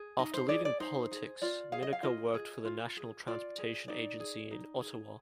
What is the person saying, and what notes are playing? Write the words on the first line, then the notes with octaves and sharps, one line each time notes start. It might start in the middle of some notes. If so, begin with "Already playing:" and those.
After leaving politics, Minaker worked for the National Transportation Agency in Ottawa.
Already playing: G#4
D#4 D#5
C5
G#4 D5
D5
D#4 C5
G#4
F4 D5
G#4 F5
D#5
F5
F4 D#5
G#4
F4
G#4
F4 D5
G#4
D#4 D5
G#4
D#4
G#4